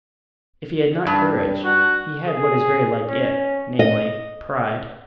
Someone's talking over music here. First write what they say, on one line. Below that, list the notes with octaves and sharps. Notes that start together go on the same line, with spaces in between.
If he had not courage he had what is very like it, namely, pride.
G2
F#4
G#4
C#4
D#5